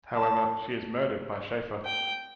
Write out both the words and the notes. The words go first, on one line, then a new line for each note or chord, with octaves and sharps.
However, she is murdered by Shafer.
A5
G5